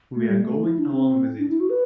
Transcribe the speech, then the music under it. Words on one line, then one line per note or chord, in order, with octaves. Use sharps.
We are going along with it.
A3
G3
A3
E4
D4
C4
D4
E4
F#4
B4